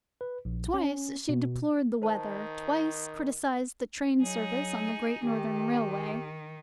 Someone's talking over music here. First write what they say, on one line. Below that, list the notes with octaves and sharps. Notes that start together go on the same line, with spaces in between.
Twice she deplored the weather, twice criticized the train service on the Great Northern Railway.
B4
A#1
C#4
B2
D#3 B4 C5 A5
F#3 D#4 G#4
D#3 G4